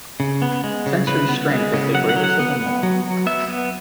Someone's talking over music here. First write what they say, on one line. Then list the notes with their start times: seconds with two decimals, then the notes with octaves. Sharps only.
Sentry's strength is the greatest of them all.
0.20 C#3
0.42 B3
0.64 G#3
0.86 C#3
1.07 C#3 B4
1.29 B3
1.51 G#3
1.74 C#3
1.94 F#3 F#5
2.09 F#5
2.16 F#3
2.24 F#5
2.39 B3
2.60 B3
2.83 F#3
3.04 F#3
3.26 B3 E5
3.47 B3